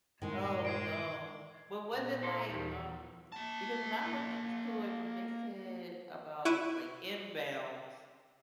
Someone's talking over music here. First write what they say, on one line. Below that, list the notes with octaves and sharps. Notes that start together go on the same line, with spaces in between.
Oh, no. But, was it, like, um, because when I looked int to it, when they said about, like, inbounds,
G2 A#2 D#3 G#3 G#5
G#6 C7 D7
A#2 B3 D5
E4 A4 C5
D#2 D#3 E3 G3
A#3 A5
E4 C#6 F#6 D7 D#7